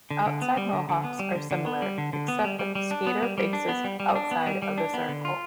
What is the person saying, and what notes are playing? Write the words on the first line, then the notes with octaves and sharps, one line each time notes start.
Outside mohawks are similar, except that the skater faces outside of the circle.
D3
D3
B3
G3
D3
D3
B3
G3
D3
D3
B3
G3
D3
D3
B3
G3
G3
G3
D4
B3
G3
G3
D4
B3
G3
G3
D4
B3
G3
G3
D4
B3
D3
F4